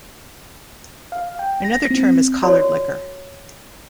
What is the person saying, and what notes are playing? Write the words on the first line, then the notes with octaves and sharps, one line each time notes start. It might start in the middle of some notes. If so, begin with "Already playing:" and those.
Another term is collard liquor.
F5
G5
A#6
C4
F#4 C#5